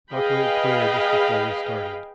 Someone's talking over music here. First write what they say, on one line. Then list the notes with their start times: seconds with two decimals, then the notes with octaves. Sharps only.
Luckily it cleared just before we started.
0.11 G#4 B4 D#5 F5 G5 B5